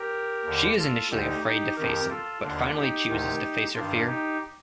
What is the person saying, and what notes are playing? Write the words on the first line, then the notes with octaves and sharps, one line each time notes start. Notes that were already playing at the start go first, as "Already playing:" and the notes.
She is initially afraid to face him, but finally chooses to face her fear.
Already playing: G4 A#4
D#2 D3
F4 A4
D2 D3 D#4 G4
D#4 G4
F2 D#3 G4 A#4
F4 A4
D#2 D3 D4 F4
D#4 G4
D2 C3 D#3
G2 D#3 D4 F4
D#4 G4